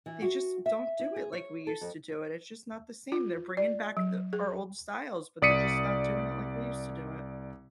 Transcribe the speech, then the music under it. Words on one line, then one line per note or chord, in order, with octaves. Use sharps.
they just don't do it like we used to do it. It's just not the same. They're bringing back the our old styles, but they're just not doing it like we used to do it.
E3
F#4
E5
E4
G#4
C#5
A4
F2
F4
D5
F#3
G#4
C2 D5 D#6 B6 C#7 D#7